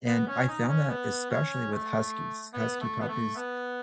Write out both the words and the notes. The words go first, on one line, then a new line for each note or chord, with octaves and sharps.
And I found that especially with huskies, husky puppies,
B3
C#4
D#4
C#4
B3
C#4
A3
B3
A3
B3
A3
B3